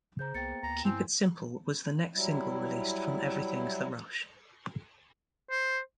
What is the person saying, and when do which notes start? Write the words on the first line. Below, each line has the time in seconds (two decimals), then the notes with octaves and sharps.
"Keep It Simple" was the next single released from "Everything's the Rush".
0.19 C#3 G#4 C5 A#5 G6
0.35 C2 A#3 B3 G5 A6 C#7
0.63 D2 A#5
0.85 G2 C4 E4 G#5 C6
2.13 F#3 G3 E4
5.51 C5